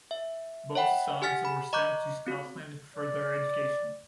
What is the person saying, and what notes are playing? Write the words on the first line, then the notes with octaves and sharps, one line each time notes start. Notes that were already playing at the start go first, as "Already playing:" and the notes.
Both sons were sent to Scotland for their education.
E5
C#5 E5 F#5 G5 B5
G4 F#5 G#5 F6 A6 B6
B5
D#5 A#5 C#6 D6 F#6 G6
C4 F#4
D5